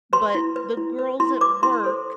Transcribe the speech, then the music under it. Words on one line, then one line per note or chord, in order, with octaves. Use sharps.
But the girls at work
B4 C6
E4
B4
E4
B4
E4 C6
B4 D6
E4 C6
A4 C5